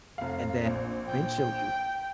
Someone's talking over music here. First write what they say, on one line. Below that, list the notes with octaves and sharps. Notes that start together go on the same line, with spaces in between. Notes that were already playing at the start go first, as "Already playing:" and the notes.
and then, eventually,
F1 F5
A#1
G5